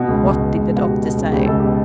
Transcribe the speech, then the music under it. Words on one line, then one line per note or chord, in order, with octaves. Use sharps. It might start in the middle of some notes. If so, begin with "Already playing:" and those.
"What did the doctor say?"
Already playing: B2 F#4
C#2
C#2
B2
C#2
B2
F#4
B2 G4
B2
C#2
C#2 G4
C#2 A4
G4
B2